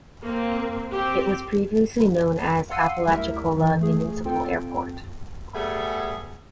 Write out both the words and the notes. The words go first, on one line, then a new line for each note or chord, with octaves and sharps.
It was previously known as Apalachicola Municipal Airport.
A#3 C4
C4 G4
F5 F#5 C6 E6 C7 D#7
D2 G3 E4 A#4 E5
E3
A3 G#4
C4 F4 A4 G5
G3 A3 B3 G#4